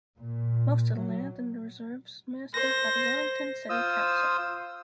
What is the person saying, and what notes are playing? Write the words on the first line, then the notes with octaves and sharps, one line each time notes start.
Most of the land in the reserve is administered by the Wellington City Council.
A#2
F#3
C5 A#6
F4 C5 D#6 E6